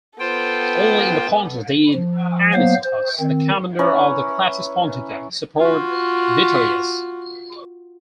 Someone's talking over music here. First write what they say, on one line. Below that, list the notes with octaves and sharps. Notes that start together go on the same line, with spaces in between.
Only in the Pontus did Anicetus, the commander of the "Classis Pontica", support Vitellius.
B3 F4 A4 C5 G5
F3
F#3 A#3 B3 C5 F5
C5
D#3 C4
C#4 E4 B4 A#5
F4 F#4